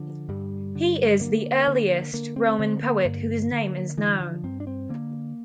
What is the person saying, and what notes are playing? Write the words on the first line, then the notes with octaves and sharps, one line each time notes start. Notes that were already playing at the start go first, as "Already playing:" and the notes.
He is the earliest Roman poet whose name is known.
Already playing: D3 F3
G2 G3
D3
D3 A#3
D3
D3 A#3
C4
D3 C4
A#3
G2
D3
D3 E3
F3
G2 C4
D4
C4
D3 A#3